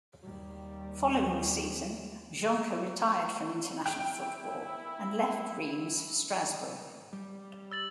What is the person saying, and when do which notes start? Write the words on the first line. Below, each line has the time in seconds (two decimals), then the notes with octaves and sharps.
Following the season, Jonquet retired from international football and left Reims for Strasbourg.
0.22 D#2 G3
3.86 E4 G5
7.13 G3
7.72 E6 A6 F#7